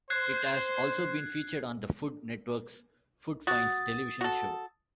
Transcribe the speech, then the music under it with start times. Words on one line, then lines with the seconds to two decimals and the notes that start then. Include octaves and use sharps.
It has also been featured on the Food Network's "Food Finds" television show.
0.10 C5 F#6 G#6 C7
3.47 F#4 D#6 A6
4.21 F#4 A4